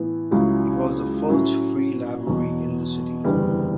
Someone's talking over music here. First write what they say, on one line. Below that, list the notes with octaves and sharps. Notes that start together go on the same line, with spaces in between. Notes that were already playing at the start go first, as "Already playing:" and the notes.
It was the first free library in the city.
Already playing: A2 E3 B3 E4
C#2 C#3 F#3 C#4 E4
A2 F#3 C#4 E4
E2 B2 F#3
F#1 E2 D3 G3 B3